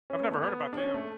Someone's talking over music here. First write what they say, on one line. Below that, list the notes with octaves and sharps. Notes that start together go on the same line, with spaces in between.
I've never heard about them.
C#4
B3
A3
B3
D4
C#4
A3